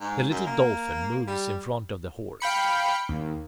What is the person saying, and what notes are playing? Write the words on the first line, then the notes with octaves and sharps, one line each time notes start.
The little Dolphin moves in front of the Horse.
G#2
F#2
A#3
G3
F5 G5 B5 C#7
D#2